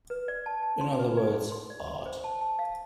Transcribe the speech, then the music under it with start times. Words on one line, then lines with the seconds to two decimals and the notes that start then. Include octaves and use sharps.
In other words, Art.
0.10 B4
0.28 D5
0.46 A5
0.63 A5
0.81 C6
0.99 B4
1.17 D5
1.35 C6
1.52 C6
1.70 D5
1.87 C6
2.06 C5
2.24 A5
2.41 A5
2.59 F5